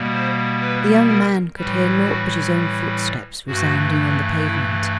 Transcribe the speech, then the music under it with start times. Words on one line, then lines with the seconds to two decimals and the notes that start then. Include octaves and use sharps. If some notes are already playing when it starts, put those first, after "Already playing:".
The young man could hear naught but his own footsteps resounding on the pavement.
Already playing: B2 G3 A#3
0.13 C5
0.61 B4
1.09 A#4
1.56 A2 E3 G3
2.04 F#4
3.47 G2 E3 A3 F#4
4.42 E4